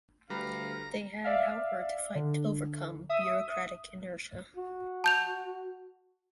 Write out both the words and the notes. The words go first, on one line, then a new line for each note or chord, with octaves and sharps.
They had, however, to fight to overcome bureaucratic inertia.
D2 G3 B4 F5 A#5 B5
D5 E5 F5
D3
E5 D#6
F#4
A5 G6 F7